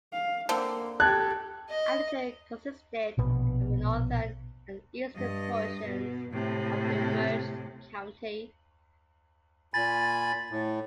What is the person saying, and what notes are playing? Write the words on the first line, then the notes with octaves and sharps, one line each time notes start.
Addington consisted of the northern and eastern portions of the merged county.
F5
D3 A#3 C4
G4 A4 A5 F#6 G#6
D#5
A#1 B2 B3
G2 D#5
B2
A2 C3
A#2 G#5 B5 A6
A2